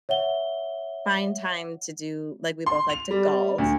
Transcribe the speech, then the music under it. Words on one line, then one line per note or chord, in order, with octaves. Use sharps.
find time to do like, we both like to golf.
C#5 E5 F#5 G7
C6
F7
G3
D2